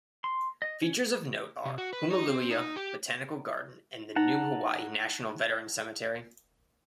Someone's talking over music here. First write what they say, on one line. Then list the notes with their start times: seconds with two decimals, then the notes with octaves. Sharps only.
Features of note are Hoomaluhia Botanical Garden and the new Hawaii National Veterans Cemetery.
0.24 C6
0.62 D#5
0.82 C#4
1.65 C3
1.78 F#4
1.93 B4
2.11 D#4
2.28 C4
2.50 D#4
2.76 G4
4.16 D#4 F#5 A5 A#5